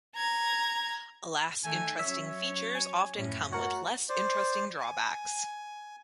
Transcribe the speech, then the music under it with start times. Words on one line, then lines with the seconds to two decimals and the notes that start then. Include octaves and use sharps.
Alas, interesting features often come with less interesting drawbacks.
0.16 A#5 G#6
1.65 D#3 A3 G#5
1.99 F#3 C#4 C#5 E5
2.75 G#5
3.16 F#2 A2 C#4
3.53 A3 F#4 A#4 C#5 F#5
4.09 C5 D5
4.80 G#5